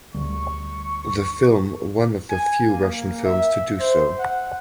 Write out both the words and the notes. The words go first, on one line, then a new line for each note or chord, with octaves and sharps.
The film one of the few Russian films to do so.
D2 G3 C#6
G#5
A#3
E5
C5
F#5